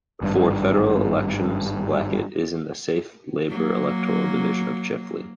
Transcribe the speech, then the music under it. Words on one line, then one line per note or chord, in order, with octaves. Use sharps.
For federal elections, Blackett is in the safe Labor electoral division of Chifley.
G#1 G2
F#3 A#3